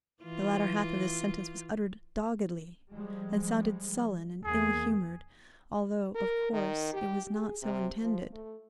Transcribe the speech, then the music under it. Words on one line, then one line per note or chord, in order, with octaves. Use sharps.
The latter half of this sentence was uttered doggedly and sounded sullen and ill-humored, although, of course, it was not so intended.
E3 F4
F3 G3 G#3
E2 A#3 G#4
A#4
D#3
G4
G#4
C3
F3
A3